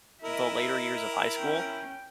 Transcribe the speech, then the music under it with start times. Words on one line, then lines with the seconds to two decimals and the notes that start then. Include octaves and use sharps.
the later years of high school,
0.23 E4 A#4 D#5 E5
1.39 C#4 G5